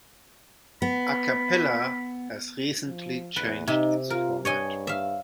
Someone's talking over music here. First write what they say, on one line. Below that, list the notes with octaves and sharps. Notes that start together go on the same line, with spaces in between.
Acappella has recently changed its format.
B3 B5
F3
E2 B4
C3 D#4
F4 A#4
G2 C#5 D#5 G#5
E5 F5